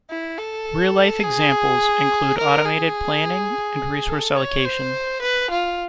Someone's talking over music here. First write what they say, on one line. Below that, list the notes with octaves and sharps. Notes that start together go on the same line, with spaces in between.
"Real life" examples include automated planning and resource allocation.
E4
A4
G#4
A#4
G#4
A4
C#5
C5
B4
F4